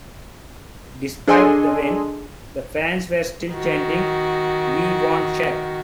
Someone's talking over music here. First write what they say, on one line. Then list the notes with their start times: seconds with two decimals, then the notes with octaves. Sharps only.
Despite the win, the fans were still chanting We want Shack!
1.28 D4 G#4 A4 D#5 G#5 C6
3.52 D#3 F#4